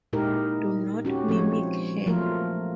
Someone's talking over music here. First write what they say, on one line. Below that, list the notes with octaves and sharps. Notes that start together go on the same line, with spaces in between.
Do not mimic her.
A#2 G#3 D#4 E4 G4 A#4
C#4 F#4 G4
F3 G#3 C4 C#5
F3 F#3 A3 A#3 F4 A#4